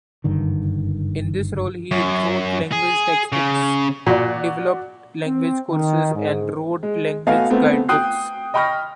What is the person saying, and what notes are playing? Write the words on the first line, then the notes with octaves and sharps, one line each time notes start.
In this role, he wrote language textbooks, developed language courses, and wrote language guidebooks.
F#1 G2 D3 D#3
F#2
G#4
C#3
A#2 F#4 D5
C4
D#3
G#2
G#3
A3 B3 F#4 D#5 F5 G#5
A3 B3 C4
G5 D#6 F#6 C7
D#5 G5 B5 C#6 F6 A#6